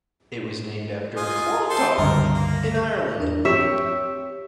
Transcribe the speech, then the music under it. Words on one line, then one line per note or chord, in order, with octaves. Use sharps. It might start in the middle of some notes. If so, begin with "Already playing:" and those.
It was named after Clontarf in Ireland.
F4 D#5 G#5
A4 C5 C6
C#2 G2 D3 A#4
A#3
E2 D4 A#4
C4 G4 C#5 E5